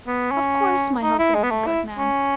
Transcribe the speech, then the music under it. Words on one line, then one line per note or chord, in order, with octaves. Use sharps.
Of course, my husband is a good man.
B3
C#4
D#4
E4
G#3
B3
A3
E4
C#4